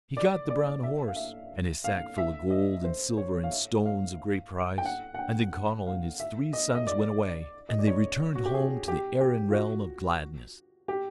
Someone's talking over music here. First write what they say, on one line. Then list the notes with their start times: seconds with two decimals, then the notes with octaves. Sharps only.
He got the brown horse and his sack full of gold and silver and stones of great price, and then Conall and his three sons went away, and they returned home to the Erin realm of gladness.
0.17 D5
0.50 D5
0.83 E5
1.08 F5
1.16 E5
1.84 F5
2.18 E5
2.50 D#5
2.84 C5
3.17 C#5
3.44 F5
3.51 E5
3.86 F5
4.78 G5
4.86 F#5
5.14 F#5
5.19 G5
5.53 F#5
5.87 F5
6.20 E5
6.53 D#5
6.75 D#5
6.87 D5
7.69 D#5
7.79 D5
7.87 C#5
8.35 F#4
8.45 G4
8.54 G#4
8.88 G4
9.21 G4
9.50 F4
9.54 F#4
10.88 G4